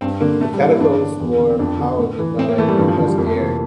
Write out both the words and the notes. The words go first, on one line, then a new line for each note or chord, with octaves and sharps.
The catapults were powered by compressed air.
G2 C4
D3 A#3
A2 A3
G3
E3
A#3
E4
G2 D4
D3
E2
D3
C4
F2 D4
D3
A2
E3
A2 C4
A#3
E3 A3
G3
G2 E3
F3
D3 F3
G3
F2 A#3
A3
A#3
C3 E3